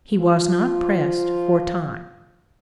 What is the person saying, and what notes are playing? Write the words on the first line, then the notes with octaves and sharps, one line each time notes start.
He was not pressed for time.
F3 F4